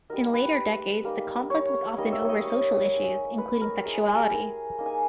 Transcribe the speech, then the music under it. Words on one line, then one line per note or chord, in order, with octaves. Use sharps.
In later decades the conflict was often over social issues, including sexuality.
G3 B3 D#4 A#4
B4
G3 A#3 D#4
C#5
G3 A#3 D#4 D#5
E5
C#5 D#5
C#5
G#3 D#4
B4
A#4
G#3 B3 E4 G#4
G#4
G4 G#4
A#4
A#3 D#4
G#5